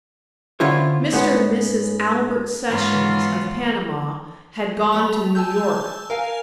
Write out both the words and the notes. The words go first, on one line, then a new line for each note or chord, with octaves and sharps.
Mr. and Mrs. Albert Sessions, of Panama, had gone to New York.
D3 C#4 E4 F4 C5 C#5
G#2 B3 C#4
G#2 E3 B3 C#4 F4
G3 A3 F7
G#5 A5 E6 G6
A#4 F5 G#5